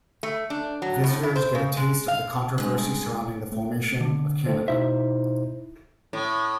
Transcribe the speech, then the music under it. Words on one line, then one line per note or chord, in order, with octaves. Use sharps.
Visitors get a taste of the controversy surrounding the formation of Canada.
A3
D4
F#3
A2
E4
C5
C#3
G#3
F5
G2 G#3
A3
D3
A3 C5
B2 D#4 E4 C5 E5
A2